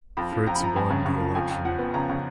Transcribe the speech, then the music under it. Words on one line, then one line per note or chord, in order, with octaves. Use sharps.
Fritz won the election.
F2 B5
F3
F2 A#5
B5
F3 A#5
F2 G#5
C#3
C#3
F3
F2 G#5
F2
F3 F#5
B3
C#3 A#5
C#3